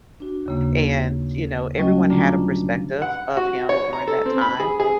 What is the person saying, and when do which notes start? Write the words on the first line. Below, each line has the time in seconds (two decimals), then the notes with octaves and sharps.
And, you know, everyone had a perspective of him during that time,
0.20 D4 F#4
0.46 D#2 C#3 A#3
1.77 F#3 G3 A3 C#4 F#4 D#5
2.10 B2 D3 A3 D4 F4 A#5
2.30 F4
3.02 F#5
3.37 F#4
3.69 C#5
3.93 A#5
4.07 A4
4.26 C4
4.41 B5
4.60 G#4
4.80 G#4